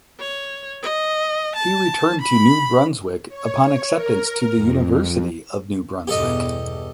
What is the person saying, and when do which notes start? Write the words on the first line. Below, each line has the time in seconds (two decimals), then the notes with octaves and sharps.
He returned to New Brunswick upon acceptance to the University of New Brunswick.
0.20 C#5
0.82 D#5
1.56 A5
2.21 B5
3.29 C#5
3.90 A#4
4.54 F2
6.07 E2 G2 B2 G4 A4 D#5